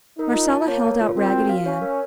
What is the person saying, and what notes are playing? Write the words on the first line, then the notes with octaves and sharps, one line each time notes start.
Marcella held out Raggedy Ann.
D#4 A#4
F4
A5
A#3 C#5
A#4
F4
C4 A#4
F#4
F5
C#4 C#5
A#4